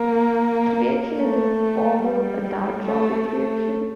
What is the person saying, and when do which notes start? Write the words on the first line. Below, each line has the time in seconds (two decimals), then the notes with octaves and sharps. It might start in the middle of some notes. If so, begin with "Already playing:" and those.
The reaction is a formal dyotropic reaction.
Already playing: A#3
1.19 A3
2.03 G3
2.87 A3
3.28 A3